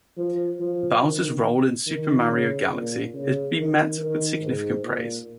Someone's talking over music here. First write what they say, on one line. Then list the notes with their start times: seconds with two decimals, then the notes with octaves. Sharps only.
Bowser's role in "Super Mario Galaxy" has been met with significant praise.
0.17 F3
0.60 F3
1.02 D#3
1.86 D#3
2.28 C#3
2.71 A#2
3.13 C#3
3.56 D#3
3.98 D#3
4.40 G#2
4.82 A#2